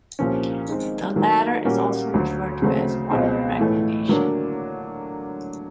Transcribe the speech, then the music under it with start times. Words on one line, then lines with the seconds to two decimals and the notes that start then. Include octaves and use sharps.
The latter is also referred to as water reclamation.
0.19 C2 A#2 F3 A#3 C#4
0.68 D#3 G#3 C4
1.16 D#3 F#3 A#3
1.65 A#2 G3 A#3 C#4 F#4
2.14 D2 D3 F#3
2.62 C#3 F#3 A3 C4
3.11 C#2 B2 G#3 C4
3.59 A2 E3 A3
4.08 D3 F#3 A#3 D4